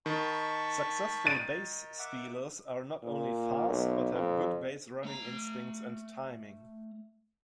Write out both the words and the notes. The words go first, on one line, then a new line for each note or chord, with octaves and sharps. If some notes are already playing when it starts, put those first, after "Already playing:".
Successful base stealers are not only fast but have good baserunning instincts and timing.
D#3 A5 B5 C#6
A6 D#7
E5 F#5 D6
A#2
B1
F2
A3 A#5